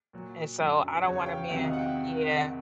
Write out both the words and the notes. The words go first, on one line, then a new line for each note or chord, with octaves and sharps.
and so, I don't wanna man yeah,
A#2 F#3
F#2 D3 F#3
E2 C#3 F#3 C#5
C#5
F5 G5
F5 G5
E2 C3 D#3 F#3 E5 F#5
D#5 F5
F#5
F5 G5